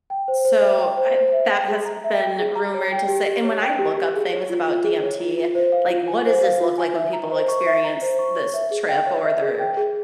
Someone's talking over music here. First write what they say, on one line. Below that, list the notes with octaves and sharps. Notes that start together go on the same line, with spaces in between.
so I that has been rumored to say and when I look up things about DMT, like, what does this look like when people experience this trip or they're,
G5
C5
C5
E5
G5
C5
C5
E5
G5
G#4
A#5
E5
G5
G#4
A#5
C#5
G5
G4
G4
C#5
G5
G4
G4
G#4
C#5
F4
F4
G#4
C#5
F4
F4
C5
F5
F4
G#5
C5
F5
F4
G#5
E5
A#5
C5
C#6
E5
A#5
C5
C#6
C#5
E5
G#4
G5
C#5
E5
G#4
G5
G#4